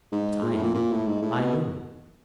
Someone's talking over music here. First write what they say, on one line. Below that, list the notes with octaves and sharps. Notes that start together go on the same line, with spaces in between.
But I knew, I knew!
G#2
A#2
A2
A#2
A#2
A2
G#2
A2
B2